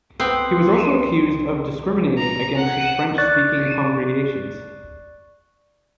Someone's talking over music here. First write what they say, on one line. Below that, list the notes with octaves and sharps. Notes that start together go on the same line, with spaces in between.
He was also accused of discriminating against his French-speaking congregations.
B3 C4
A#5
F#5
D5 C#6 F#6 A6